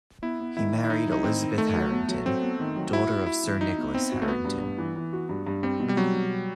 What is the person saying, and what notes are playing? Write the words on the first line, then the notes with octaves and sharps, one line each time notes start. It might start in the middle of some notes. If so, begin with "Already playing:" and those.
He married Elizabeth Harrington, daughter of Sir Nicholas Harrington.
B3 E4
B3
D#3 E4
D#3
E4
D#3 D#4
F#3
D#4
D#3 C4
D#3
D#3 A3
F#3
B3
F#3
F#3 C4
B3
D#3
F#3
E4 F#4
F#4
E4 F#4
E3
D#4 F#4
B3
B3 C4
F#4
A3
B3 F#4
G2
G2
E3
E3
F#4
G2
G2
G3 C4
B2
G3
F#3 C4
B2